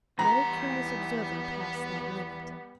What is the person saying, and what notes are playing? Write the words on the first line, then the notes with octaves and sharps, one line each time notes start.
No curious observer passed that limit.
E2 G3 B3 A#5 C6